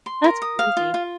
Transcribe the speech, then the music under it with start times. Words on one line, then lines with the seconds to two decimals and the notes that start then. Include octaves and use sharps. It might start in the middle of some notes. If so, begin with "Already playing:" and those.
That's crazy.
0.06 C6
0.24 A#4
0.42 D#6
0.59 F5
0.77 F4
0.94 F4